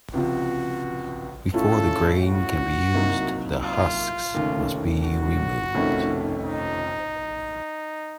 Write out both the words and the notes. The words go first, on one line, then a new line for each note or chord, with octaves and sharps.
Before the grain can be used, the husks must be removed.
C#2 C3 F3 F#4
A2 A3 C#4 F4 A4
F#4
C2 C3 F#3 A#3 D#4
F4
F1 D#2 C#3 A3 C#4
F#4
F1 F2 D#3 A3 C#4
D#4